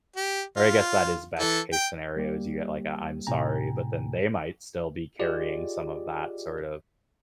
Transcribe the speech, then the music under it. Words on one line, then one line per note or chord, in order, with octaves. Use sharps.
or I guess that is best-case scenario is you get like, a "I'm sorry," but then they might still be carrying some of that sort of
G4
F4
E3 A4
G5
G3 A#3 G4
A2 C3 G5 G#5 A#5
F4 G4 G#4 D5 D#5